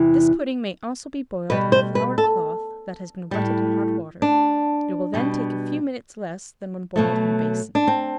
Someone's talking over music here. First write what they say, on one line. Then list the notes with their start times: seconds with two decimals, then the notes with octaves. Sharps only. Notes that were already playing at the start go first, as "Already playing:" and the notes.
This pudding may also be boiled in a floured cloth that has been wetted in hot water; it will then take a few minutes less than when boiled in a basin.
Already playing: E2 C3 E3
1.50 B2 G3 B4
1.72 C5
1.95 B4
2.18 A4
3.31 A2 G3
4.22 D4
5.14 B2 G3
6.96 B2 F#3 A3
7.75 D4
7.88 C4